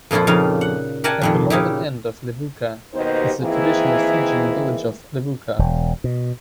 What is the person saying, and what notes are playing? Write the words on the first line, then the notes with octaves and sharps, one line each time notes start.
At the northern end of Levuka is the traditional Fijian village of Levuka.
F2 A#2 F3 E4 F4
F2 C#3 D#4 G4 F5
F#5
G4 A#4 D5 F#5 G#5 A5
F2 A#2 D#3
C#3 D#4 E4 G4
D#2 B2 D#4 G4 C5
D#3 E3 A#3 C4 E4 G#4
E1
B2